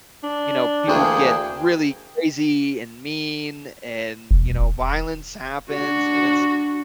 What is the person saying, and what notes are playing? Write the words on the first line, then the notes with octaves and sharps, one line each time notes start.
you know, people get really crazy and mean and, you know, violence happens, and it's
D4
D2 E3 A#3 G#4 G5
E1
D4 F#4